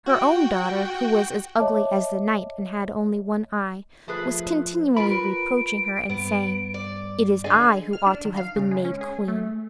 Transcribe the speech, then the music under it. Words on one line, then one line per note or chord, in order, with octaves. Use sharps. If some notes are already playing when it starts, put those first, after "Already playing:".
Her own daughter, who was as ugly as the night and had only one eye, was continually reproaching her, and saying, "It is I who ought to have been made queen."
F#4 G5
C#5 D#5 E5 A5 D6
F3 A3 G#4 B4
F4 A#4 B4 B5 D7
G2 B3
D5
D3 G#4 D5 D#5 G#5
F6
D4
D#3
F5
C#3
G#3
C#4
G#4
A3